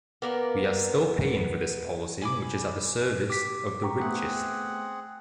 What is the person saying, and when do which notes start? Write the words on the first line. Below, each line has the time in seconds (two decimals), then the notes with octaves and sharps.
We are still paying for this policy which is at the service of the richest.
0.22 A#3 B3 A#4 D5
2.22 G#5 B5 D6
3.30 G4 D6 B6
3.83 G5 A#5 C#6
4.00 A3 B3 C4 G#4 F#5